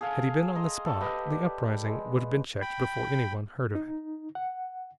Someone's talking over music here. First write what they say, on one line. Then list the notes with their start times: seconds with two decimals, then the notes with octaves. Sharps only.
Had he been on the spot, the uprising would have been checked before any one heard of it.
0.01 G#4 A4 F5 G#5
0.55 D#5 A#5 C6
0.86 A4
1.00 G4 B4 D#5
1.31 D5
1.84 G#3
2.62 G5 B5
3.75 D#4
4.35 F#5